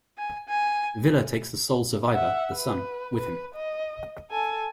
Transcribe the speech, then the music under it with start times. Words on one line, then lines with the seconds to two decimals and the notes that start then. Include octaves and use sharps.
Villa takes the sole survivor, the son, with him.
0.18 G#5
0.48 G#5
2.13 E5 F#5
2.55 B4
3.16 B4
3.55 D#5
4.31 A4 G#5